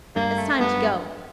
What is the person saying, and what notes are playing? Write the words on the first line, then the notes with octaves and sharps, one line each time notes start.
It's time to go.
G2 A#3
A3
G2 B3